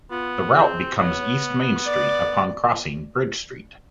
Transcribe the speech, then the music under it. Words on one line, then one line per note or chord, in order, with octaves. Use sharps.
The route becomes East Main Street upon crossing Bridge Street.
B3 F4
C4 G#4
B3 C#5
D5